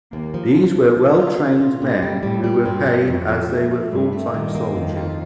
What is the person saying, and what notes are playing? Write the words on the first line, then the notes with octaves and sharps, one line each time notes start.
These were well trained men who were paid as they were full-time soldiers.
D#2 A#3
F3
F3
F3
F3
F4
F4
F4
A#2 G3
G3
A2 G3
G3
G2 C4
F3
F2 F3
F3
A3
A3
G2 C4
A3
G2 D#3
A#3
F2 D#3
F4